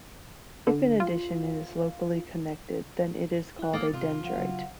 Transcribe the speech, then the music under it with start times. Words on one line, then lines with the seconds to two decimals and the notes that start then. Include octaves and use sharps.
If in addition it is locally connected then it is called a dendrite.
0.67 D3
1.00 F4
3.59 E4 F#6
3.73 A#3 D6 D#6 A6
3.93 C3 F4
4.24 F3 F5 F#5
4.37 C#3 F#3